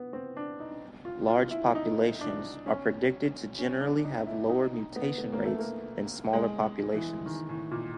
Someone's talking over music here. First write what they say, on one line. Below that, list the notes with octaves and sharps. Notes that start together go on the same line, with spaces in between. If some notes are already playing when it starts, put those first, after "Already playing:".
Large populations are predicted to generally have lower mutation rates than smaller populations.
Already playing: B3
C4
D4
D#4
F4
F4
E4
D#4
D4
C#4
C#4
D4
D#4
E4
D#4
D#4
B3
B3
A#3
A3
A#3
G#3
E3
D#3
A2
A#2